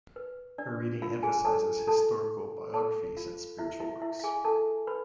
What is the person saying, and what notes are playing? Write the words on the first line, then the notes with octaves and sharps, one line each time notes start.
Her reading emphasizes historical biographies and spiritual works.
B4
D4 D5
F4 F5
G#4 G#5
A4 A5
A4 A5
A4 A5
F4 F5
E4 E5
E4 E5
E4 E5
F5
G#4 G#5
A4 A5
B4 B5